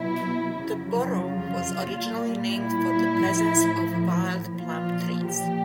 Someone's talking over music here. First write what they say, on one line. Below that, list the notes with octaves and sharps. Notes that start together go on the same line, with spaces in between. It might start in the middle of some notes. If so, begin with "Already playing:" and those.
The borough was originally named for the presence of wild plum trees.
Already playing: B2 F#3 E4
F2 C#3 F#3
F4
A#2 G3
E4
A2 F3
A#2 F3 F4
G4